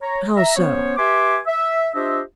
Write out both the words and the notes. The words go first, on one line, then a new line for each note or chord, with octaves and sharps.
"How so?"
C#5 A#5
E5 A#5
B3 C#4 C5 C#5
G4 B4 E5 G#5 C6 D6
E5
D4 F4 G4 C5 D#5 E5